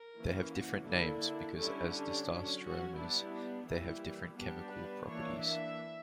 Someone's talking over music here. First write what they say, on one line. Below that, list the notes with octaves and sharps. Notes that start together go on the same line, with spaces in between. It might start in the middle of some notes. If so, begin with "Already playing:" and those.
They have different names because, as diastereomers, they have different chemical properties.
Already playing: A#4
E3 A#3 C#4
F#4
D3 A#3 D4 E4
D3 G3 C#4 E4
D4
F#3 C#4
F#4
G3 B3 D4 E4
D4
E3 G3 A#3 E4
G3 B3 D4 G4
B4
E3 A#3 D4 C#5
E5